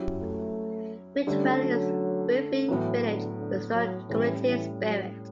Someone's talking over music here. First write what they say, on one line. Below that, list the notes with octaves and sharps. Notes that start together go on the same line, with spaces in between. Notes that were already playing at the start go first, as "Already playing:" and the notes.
Whitwell is a thriving village with strong community spirit.
Already playing: F#3 C#4 E4 G4
A3
D3 G3 A3 C#4
F#3
A2 E3 F#3 B3
D3
D3
F#3
A2 E3 G3 C#4
E3
F#3